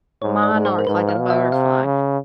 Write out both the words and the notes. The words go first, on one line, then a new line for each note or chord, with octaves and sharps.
Monarch, like in a butterfly.
G#2 C#5
D5
G#2
C5
A#4
G#2 B4
F5
B2
E5
C3 F5
C#3